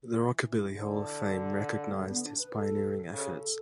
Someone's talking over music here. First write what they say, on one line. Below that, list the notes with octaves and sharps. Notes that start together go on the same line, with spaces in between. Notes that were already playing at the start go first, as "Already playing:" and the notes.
The Rockabilly Hall of Fame recognized his pioneering efforts.
E3
D3
A3
G3
B3
D4
B4
A4
C#3 A4
G4
A4